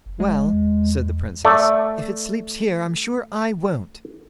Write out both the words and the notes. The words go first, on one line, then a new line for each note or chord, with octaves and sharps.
'Well!' said the Princess, 'if it sleeps here, I'm sure I won't.'
F#1
G#3
E2
A3 D5